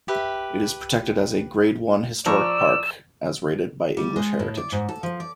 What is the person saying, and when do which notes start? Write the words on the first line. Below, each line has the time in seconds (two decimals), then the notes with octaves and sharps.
It is protected as a Grade One historic park, as rated by English Heritage.
0.08 G4 B4 E5
2.26 F3 D5 A#5 C#6 E6
3.97 G3
4.16 G#3
4.39 A2
4.57 D5
4.72 G#2
4.89 A4
5.03 F3
5.20 D5